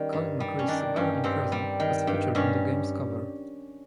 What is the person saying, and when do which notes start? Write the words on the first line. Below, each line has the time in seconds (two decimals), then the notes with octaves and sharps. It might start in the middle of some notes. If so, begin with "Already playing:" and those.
Colin McRae's Subaru Impreza was featured on the game's cover.
Already playing: D#3 G3 C#4
0.13 G2
0.40 G3
0.59 C#4
0.68 D#3 D4
0.96 G2 C#4
1.24 G2 C4
1.52 G3
1.80 D#3
2.07 G2
2.35 G2 C#4